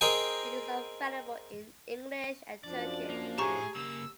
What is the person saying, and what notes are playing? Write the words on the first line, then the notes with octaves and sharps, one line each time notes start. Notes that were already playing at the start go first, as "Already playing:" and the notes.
It is available in English and Turkish.
C4 G#4 A#4 D#5 G5 G#5
F#2 F3 D4 D5
A#3
A2 G4 G#4 A#5 C#6
C#3 A#3 E6